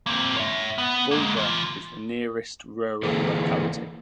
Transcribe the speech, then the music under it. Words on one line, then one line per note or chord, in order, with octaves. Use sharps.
Bulgar is the nearest rural locality.
A#3 C4
C#5 E5
B3
G#3 A#3
E3 F4
E3 A#3 E4 G#4 A4